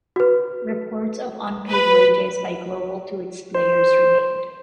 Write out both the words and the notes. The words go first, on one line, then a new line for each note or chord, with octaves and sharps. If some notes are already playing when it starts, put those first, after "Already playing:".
Reports of unpaid wages by Global to its players remained.
F#4 B4
B4
C5